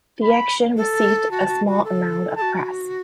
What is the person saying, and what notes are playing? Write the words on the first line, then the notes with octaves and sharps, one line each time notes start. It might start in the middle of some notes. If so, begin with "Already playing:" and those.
The action received a small amount of press.
B5
A4
F#4 A5
F#4
F#4
A4
F#4 A4 A5